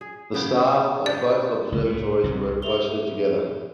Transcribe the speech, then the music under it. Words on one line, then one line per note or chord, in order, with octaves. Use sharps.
The staff of both observatories work closely together.
G#4
C#3 B3 G5
D4 G4 D5
C#2
A2
C2
G4 A4 E5 F7 G7